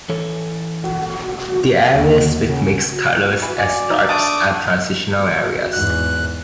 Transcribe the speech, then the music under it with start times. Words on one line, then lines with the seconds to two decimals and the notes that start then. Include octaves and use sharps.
The areas with mixed colors as stripes are transitional areas.
0.09 E3 A4 C#5
1.95 D#2
2.46 C#3
3.42 E3 B4
3.58 C#4 D5
3.91 D#4
4.09 A3 D4 A5 D6 D#6
4.51 F#5
5.73 E2 G#2 F#6